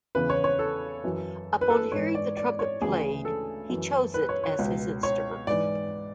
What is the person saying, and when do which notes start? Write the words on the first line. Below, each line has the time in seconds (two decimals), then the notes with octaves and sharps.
Upon hearing the trumpet played, he chose it as his instrument.
0.15 E2 C#3 E3 B4
0.30 C#5
0.44 C#5
0.59 A4
1.04 F#2 E3
1.61 B4
1.70 A4
1.92 G#2 E3 C#5
2.15 D5
2.37 D5
2.59 C#5
2.81 D2 C#3 E3 G#4
3.25 A4
3.70 F#2 E3
4.14 B4
4.29 C#5
4.44 C#5
4.59 C#2 B2
5.03 C#5
5.47 G#2 E3 D5